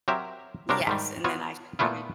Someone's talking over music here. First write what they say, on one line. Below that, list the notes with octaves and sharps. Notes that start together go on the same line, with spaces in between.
Yes, and then I should probably
F#3 C4 G4 A#4 E5
C3 F#3 G3 D4 A#4
G#2 D#3 G3
B3 F4 F#4 C#5
A#2 A3 B3 E4 F4